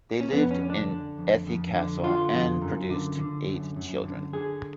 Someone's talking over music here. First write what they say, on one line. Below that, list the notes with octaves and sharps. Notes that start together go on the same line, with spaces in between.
They lived in Ethie Castle and produced eight children.
C#4
F2 B3
C#4
D3
D4
D3
F2
F2
D3
D3 F4
F2
F#2
D3
D3
F#2
F#2
D3
D3 G#4